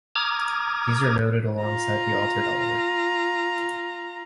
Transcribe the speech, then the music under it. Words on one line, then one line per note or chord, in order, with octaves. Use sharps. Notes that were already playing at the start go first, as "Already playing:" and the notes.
These are noted alongside the altered element.
A#5 D6 D#6 F6 G#6
F4 A#5